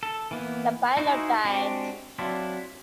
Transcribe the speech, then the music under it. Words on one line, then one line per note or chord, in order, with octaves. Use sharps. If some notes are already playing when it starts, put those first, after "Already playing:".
The pilot died.
A4
E3 A#3 B3
D#4 E4 F#4 G#4 C5
G#3 C4 D4 F#4 G4
F#3 C4 D4 E4 F4